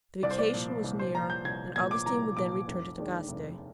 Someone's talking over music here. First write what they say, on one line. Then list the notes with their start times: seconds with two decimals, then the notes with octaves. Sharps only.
The vacation was near, and Augustine would then return to Tagaste.
0.23 C2 D5
0.31 C5
0.38 D5
0.54 A#2 F3
0.84 C2
0.99 C5
1.15 A#2 F3 A#5
1.30 G6
1.45 C2 G#6
1.76 A#2 F3 G#6
1.91 D6
2.06 C2 A#5
2.36 A#2 F3 D6
2.68 F1
2.98 D#2 D#3 G#3 D4
3.29 F1